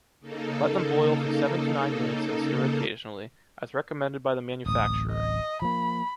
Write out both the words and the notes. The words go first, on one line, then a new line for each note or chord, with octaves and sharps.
Let them boil for seven to nine minutes and stir occasionally, as recommended by the manufacturer.
C#3 A#3 D#4 A4
D1 A1 D#6
D#5
F3 A#3 B5